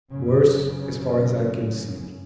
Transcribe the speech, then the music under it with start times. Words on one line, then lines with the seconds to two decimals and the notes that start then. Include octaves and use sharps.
'Worse, as far as I can see.
0.11 F#2 C#3